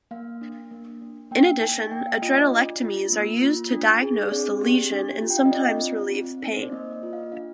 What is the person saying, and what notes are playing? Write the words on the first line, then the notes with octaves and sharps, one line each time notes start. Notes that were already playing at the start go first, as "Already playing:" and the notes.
In addition, adrenalectomies are used to diagnose the lesion and sometimes relieve pain.
A#3 F5
D4
A#3
D4
A#3 G5
D#4 G#5
G#5
A#3 G5
F5
F4 D#5
D5
D4
F4
A#3
F4
D4
G#4
C4 D5
G4
D4
F4
G5
F5
D#5
C4 D5
F4
C4
D#4
C5
D5
A#3 D#5
D#5
F4
F5
D4 F5